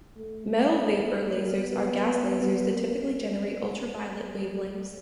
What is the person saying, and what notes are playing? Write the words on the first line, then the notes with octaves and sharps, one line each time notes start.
Metal-vapor lasers are gas lasers that typically generate ultraviolet wavelengths.
A3
G3
G#3
A3
A#3
B3
B3
A#3